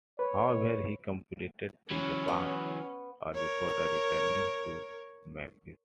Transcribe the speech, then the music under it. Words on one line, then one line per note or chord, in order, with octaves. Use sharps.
However he completed the Japan tour before returning to Memphis.
B4 C#5
E3 F#3 C#4
B3
A#4 C#5